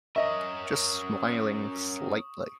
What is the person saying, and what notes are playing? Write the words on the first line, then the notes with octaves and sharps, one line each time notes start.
Just smiling slightly.
C#4 A#4 D#5 E5 C#6 D#6